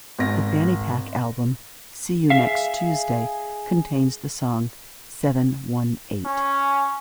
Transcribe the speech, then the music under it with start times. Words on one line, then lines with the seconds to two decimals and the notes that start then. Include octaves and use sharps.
The FannyPack album "See You Next Tuesday" contains the song "Seven One Eight".
0.19 G#1 A#6
2.30 G#4 E5 F5
6.25 C#4